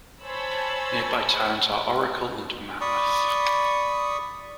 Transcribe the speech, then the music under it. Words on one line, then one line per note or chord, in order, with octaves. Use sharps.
Nearby towns are Oracle and Mammoth.
C5 C#5 G#5 A5 B5 E6
D5 B5 C#6 D#6